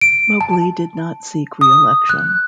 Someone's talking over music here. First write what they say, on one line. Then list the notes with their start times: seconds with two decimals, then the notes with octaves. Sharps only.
Mobley did not seek reelection.
0.01 D7
0.41 A5
1.61 D#6
2.09 F#6